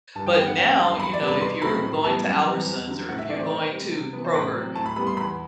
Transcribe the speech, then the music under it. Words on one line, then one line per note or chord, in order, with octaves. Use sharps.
But now, you know, if you're going to Albertsons or if you're going to Kroger,
G2 A5
G5
E3 G3 B3 G5
F#5
F#2 G5
G5
D3 G3 A5
C6
E2 B5
D5
C3 G3 B3
B5
B2 C6
F#3 A3 C4 B5
A2
G3 B3 A5
F#2
E3 G3 C4
E2
D3 F#3
A2 F#5
E5
E3 A3 C4 D5
C5
B2
G3 C4
C3
E3 B3
C5
A2 B4
F#3 C4
A2 A5
B5
G3 B3 B5
C6
E2 B5